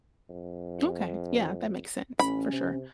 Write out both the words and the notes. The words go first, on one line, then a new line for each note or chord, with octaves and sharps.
Okay. Yeah, that makes sense, for sure.
F2
A1 C#4 B5
C3